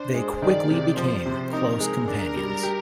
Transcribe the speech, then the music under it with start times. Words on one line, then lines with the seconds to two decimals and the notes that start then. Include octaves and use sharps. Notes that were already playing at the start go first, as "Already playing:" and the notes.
They quickly became close companions.
Already playing: D4 C5
0.14 G#3
0.42 D#3 D5
0.70 C3
0.97 F3 C5
1.26 C3
1.53 D#4 A#4
1.80 G#3
2.08 D4 A#4
2.36 G3
2.63 G4